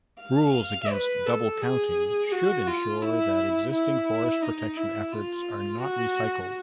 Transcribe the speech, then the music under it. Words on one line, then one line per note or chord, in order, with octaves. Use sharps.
Rules against 'double counting' should ensure that existing forest protection efforts are not recycled.
F5
B4
A4
G#4
F#4
F4
E4
E4
D#4
E4
F4
F#4